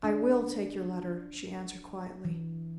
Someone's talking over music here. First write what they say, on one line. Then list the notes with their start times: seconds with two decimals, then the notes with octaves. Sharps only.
"I will take your letter," she answered, quietly.
0.04 D4
2.25 E3